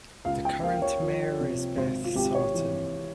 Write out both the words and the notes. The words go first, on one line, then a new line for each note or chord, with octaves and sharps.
The current mayor is Beth Sartain.
C#2 F5
G5
A#3 F5
C#5
F3
C3
G#1 C5
F4
G#1 G4
C#5
E3